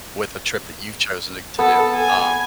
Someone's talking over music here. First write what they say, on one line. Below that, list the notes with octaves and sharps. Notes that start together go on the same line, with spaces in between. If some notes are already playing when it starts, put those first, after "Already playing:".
with a trip that you've chosen, eh, to do. Um,
B3 A4
G#5